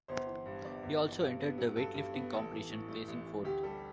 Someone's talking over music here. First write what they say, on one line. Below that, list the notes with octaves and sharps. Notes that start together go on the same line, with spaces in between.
He also entered the weightlifting competition, placing fourth.
G1 C5
E3
G2
G1 D5
G1
E3
G2
B3
F#3
G2 A4
G2
B3
A1 A4
E3
A2
A3
A1
E3
D2 G4
G3 A4